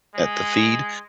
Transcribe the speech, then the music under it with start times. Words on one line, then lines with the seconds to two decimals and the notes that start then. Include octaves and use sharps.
a at the feed,
0.15 G#3